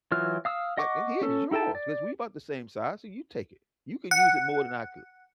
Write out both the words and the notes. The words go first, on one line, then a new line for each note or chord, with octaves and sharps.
a and, "Here's yours 'cause we about the same size, so you take it. You can use it more than I could."
E3 F#3 F4 F6
F5 D#6 E6
D#5 F#5 C#6 D6
C#4 A4
D#4 E4 A4 G5 A5
D5
F#5